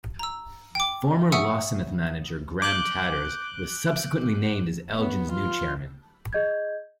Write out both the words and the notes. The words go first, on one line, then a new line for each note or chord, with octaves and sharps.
Former Lossiemouth manager Graham Tatters was subsequently named as Elgin's new chairman.
A#5 E6
G5 D6
E5 F#5 G#5 C#6 D#6 E6
D6 F#6 G6
B3
F4
G#4 D#5 G6 G#6